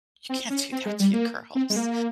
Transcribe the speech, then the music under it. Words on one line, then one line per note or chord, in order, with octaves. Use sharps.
you can't do that to your girls.
C4
C#4
C4
G#3
G3
A#3
C4
G#3
A#3